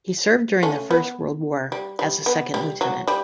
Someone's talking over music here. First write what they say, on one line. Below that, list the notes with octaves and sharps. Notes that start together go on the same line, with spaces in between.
He served during the First World War, as a second lieutenant.
A3 C#4
B3
G3
G3
B3
G3
F#3
G3